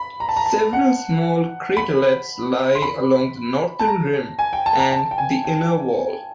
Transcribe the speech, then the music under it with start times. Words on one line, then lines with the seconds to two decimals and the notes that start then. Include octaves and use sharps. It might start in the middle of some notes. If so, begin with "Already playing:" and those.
Several small craterlets lie along the northern rim and the inner wall.
Already playing: B5
0.20 A#5
0.29 A5
0.36 A#5
0.46 A5
0.73 F#5
1.77 B5
2.75 C6
2.82 B5
3.79 A5
3.87 A#5
4.39 G#5
4.53 G5
4.66 A5
4.79 A#5
4.92 A5
5.11 G5
5.18 G#5
5.45 G5